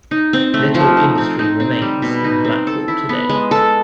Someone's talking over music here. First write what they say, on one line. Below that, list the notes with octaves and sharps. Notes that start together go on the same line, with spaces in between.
Little industry remains in Blackwall today.
D#4
C4
A3
F3
D#4
C4
D#4
C4
G3
B2
D#4
C4
A4
E4
B3
G#3
A4